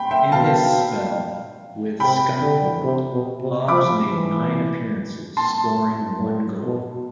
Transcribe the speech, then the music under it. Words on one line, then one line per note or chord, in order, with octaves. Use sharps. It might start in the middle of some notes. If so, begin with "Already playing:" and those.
In his spell with Scunthorpe, Hobbs made nine appearances, scoring one goal.
Already playing: G5 B5 C6
E5 G5
B2 F5 A5
C3 G5 B5
D3
C3
B2
C3
F3 B5 D6
E3
A5 C6
A2
B2